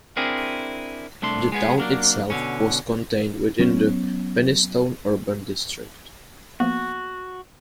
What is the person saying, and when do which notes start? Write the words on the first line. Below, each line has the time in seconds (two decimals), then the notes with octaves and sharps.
The town itself was contained within the "Penistone Urban District".
0.17 C4 D4 E4 G#4 A#4 C5
1.22 C2 A3 D4 C6
1.52 G#3 B3 G#4
1.78 F#3 A#3 D4
2.30 B2 D3 C#4
3.59 F#3 B3 C#4
6.60 F3 A#3 B3 F#4